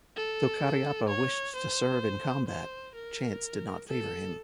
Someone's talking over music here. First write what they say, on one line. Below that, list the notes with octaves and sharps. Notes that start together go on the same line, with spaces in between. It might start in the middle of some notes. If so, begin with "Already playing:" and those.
Though Cariappa wished to serve in combat, chance did not favour him.
A4
C#5
C5
C5
A#4
A4